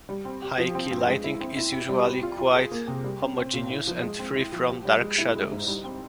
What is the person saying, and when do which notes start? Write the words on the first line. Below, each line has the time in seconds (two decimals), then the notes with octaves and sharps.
High-key lighting is usually quite homogeneous and free from dark shadows.
0.09 G3
0.25 C4
0.42 G4
0.58 F3
0.75 C4
0.91 G2
1.07 G#3
1.24 E4
1.41 C4
1.57 E4
1.72 G4
1.89 G3
2.06 C4
2.23 F4
2.38 F4
2.55 G#4
2.71 A#3
2.88 C3
3.04 G3
3.22 C#4
3.37 C4
3.53 A#2
3.70 E4
3.87 F3
4.03 G#3
4.19 C4
4.36 E4
4.52 F3
4.69 G4
4.85 G3
5.01 G#3
5.18 E4
5.36 G#3
5.51 G#2
5.67 G3
5.84 C4